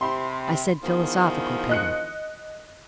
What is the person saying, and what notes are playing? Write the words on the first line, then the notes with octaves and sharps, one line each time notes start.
"I said 'philosophical,' Peter."
C3 B5 C6
E2 D#3 F3
D#5 F#6 C#7